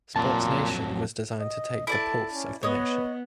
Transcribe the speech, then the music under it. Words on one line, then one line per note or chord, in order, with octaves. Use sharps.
"SportsNation" was designed to take "the pulse" of the nation.
F2 A#2 F#3 A5
D#5
E4 A4 D5 A5
C#4
B3 B4 C#5 D#5